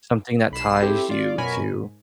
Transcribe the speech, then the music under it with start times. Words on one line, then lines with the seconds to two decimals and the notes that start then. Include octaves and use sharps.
something that ties you to
0.51 B1 B5 C7 E7
0.82 C4 E4 G4 A4
1.09 F4 D5
1.38 F#2 B2 A#4 C#5 G#5 B5
1.57 G#2